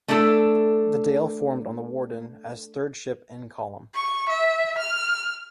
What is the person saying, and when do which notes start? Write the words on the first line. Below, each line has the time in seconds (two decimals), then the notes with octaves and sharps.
The Dale formed on the Worden as third ship in column.
0.08 A3 D4 E4 A4
3.94 C#6
4.29 E5
4.79 F6